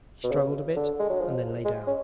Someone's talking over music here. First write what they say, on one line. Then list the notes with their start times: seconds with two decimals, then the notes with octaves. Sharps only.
He struggled a bit and then lay down.
0.24 B2
0.31 C#3
0.76 D3
0.99 G#3
1.09 F#3
1.20 F3
1.65 G#3
1.87 C#4